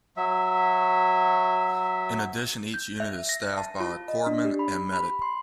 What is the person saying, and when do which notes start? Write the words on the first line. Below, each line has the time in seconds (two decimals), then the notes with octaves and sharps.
In addition each unit is staffed by a Corpsman or Medic.
0.17 F#3 E5
2.74 G6
3.00 E5
3.29 A#6
3.57 A5
3.80 F4
4.08 D#5
4.27 D4
4.45 G4
4.59 B5
4.93 B5
5.22 C6